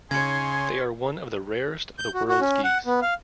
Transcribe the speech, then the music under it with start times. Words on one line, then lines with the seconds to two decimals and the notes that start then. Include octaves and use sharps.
They are one of the rarest of the world's geese.
0.11 C#3 D#4 C#5 G#5 C6 G#6 C#7
1.99 G6
2.14 F#4
2.28 F#4
2.41 C#4
2.64 F#5
2.86 B3
3.02 F5